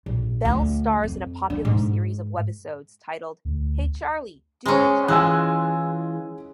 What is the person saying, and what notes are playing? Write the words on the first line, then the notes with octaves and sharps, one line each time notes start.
Bell stars in a popular series of webisodes titled Hey Charlie, Do My Job!
A#1
D2
F2
D4
G#2
D2
G#3 C#4 C5 A#5 C#6
E3 G#3 F4 G#5 E6 F#6